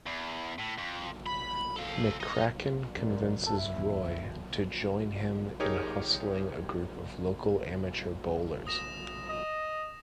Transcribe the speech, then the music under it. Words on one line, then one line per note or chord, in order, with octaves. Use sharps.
McCracken convinces Roy to join him in hustling a group of local amateur bowlers.
E2
A2
F2
B5
A4 F5
D#4
F#2 A#2
A4
E4
D1 E2 C#3
D#4 G4 G#4 A#4 C#5
D#6 A#6 E7
D#5